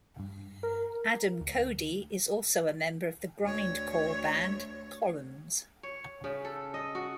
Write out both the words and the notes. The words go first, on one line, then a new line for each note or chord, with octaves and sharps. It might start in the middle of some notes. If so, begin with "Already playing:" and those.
Adam Cody is also a member of the grindcore band Columns.
G2
A#4
D2
D2 C#5
C#5
C#3
A4
D#5
F#4